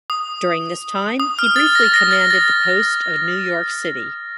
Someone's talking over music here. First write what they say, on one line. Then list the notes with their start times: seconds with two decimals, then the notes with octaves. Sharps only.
During this time he briefly commanded the post of New York City.
0.10 D#6
1.20 D#6
1.39 F6
1.56 A6
1.75 A#6
1.94 A#6
2.11 A6
2.30 A6